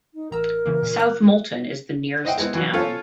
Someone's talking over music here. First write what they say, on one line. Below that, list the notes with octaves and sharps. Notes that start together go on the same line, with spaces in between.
South Molton is the nearest town.
D#4
A1 A#4 A#5 E6
C#3 E3 A#3
A#2
D6 F#6
C5 D#5 E5 F#5 G5
G#3 B3 C4 E4
E3 F#3
C#4 F4 A4 C5 C#5